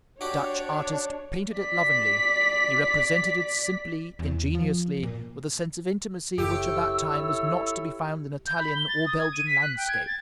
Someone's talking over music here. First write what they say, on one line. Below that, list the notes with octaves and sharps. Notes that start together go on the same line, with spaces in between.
The Dutch artist painted it lovingly; he represented it simply, ingenuously, with a sense of intimacy which at that time was not to be found in Italian or Belgian landscape.
D4 F#4 G4 C#5
D5 B6
E2
F3
A#2
F#1 E4 G4 A4 C#5 E6
G6
B5
G7
A6
D#6
G#6
D#7
B6
F#6
G5
G#6
A6